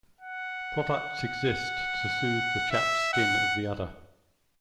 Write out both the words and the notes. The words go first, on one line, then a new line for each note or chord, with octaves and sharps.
Products exist to soothe the chapped skin of the udder.
F#5
E5
F#5